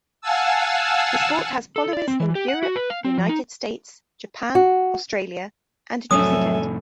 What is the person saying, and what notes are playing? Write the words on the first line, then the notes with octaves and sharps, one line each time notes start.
The sport has followers in Europe, United States, Japan, Australia and New Zealand.
F5 F#5 G#5 A5 E6
A4
D5
C4
E3
G4
F#5
F#4
B4
F5
C4
F3
D#4
F#4
C2 F2 A2 F#3 A4 E5 G#5 D#6